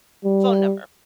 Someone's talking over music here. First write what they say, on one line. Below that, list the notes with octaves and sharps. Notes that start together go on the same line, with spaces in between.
phone number
G3